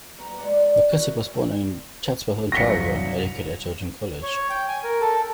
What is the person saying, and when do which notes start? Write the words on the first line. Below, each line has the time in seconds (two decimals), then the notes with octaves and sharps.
McKessock was born in Chatsworth, Ontario and educated at Georgian College.
0.18 D#2 F#3 B4 F#5 A#5
0.38 G#3 D5 F#5
0.60 D5
0.90 E4 F#4 A#4 D5
1.13 C#5
1.34 C4
2.52 C2 G2 F#3 A#6 B6 C#7
3.19 F7
4.23 C#5
4.50 G5
4.68 G#5
4.84 A#4
5.01 A4